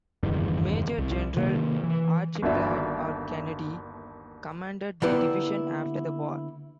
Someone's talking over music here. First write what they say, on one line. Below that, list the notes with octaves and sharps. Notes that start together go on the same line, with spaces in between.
Major General Archibald R. Kennedy commanded the division after the war.
F#1 E2 G2 D#3
C2
C3 D#3 A#3
E3
G1 D#2 D4 F#4 D5 E5
D3 A#3 B3 E4 G4 B4